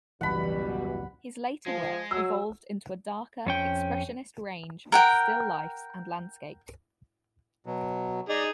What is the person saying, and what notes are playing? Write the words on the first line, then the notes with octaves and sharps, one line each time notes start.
His later work evolved into a darker, Expressionist range of still lifes and landscapes.
G#1 C#2 F#2 B2 E3 G3 F#5 B5
F3 G#3
F#3 E6
F2 C#4 G5
A#4 F#5 G5
B2 F#3
D#4 G#4 D5 D#5